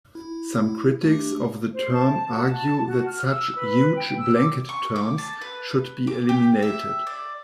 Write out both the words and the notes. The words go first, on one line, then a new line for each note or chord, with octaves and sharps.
Some critics of the term argue that such "huge blanket terms" should be eliminated.
E4
A3 D4 G4
C5
A5
F#4
A5
F#4
F6
E6
B4
G5
E6
D6
C#6
D6
A5
B4
D6
G4
E5
D5